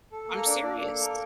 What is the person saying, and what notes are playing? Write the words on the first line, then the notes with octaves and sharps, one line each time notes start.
I'm serious.
A4
A#3 F5
A#5
D4 D5
A#3 D5
A4
A#3 A#4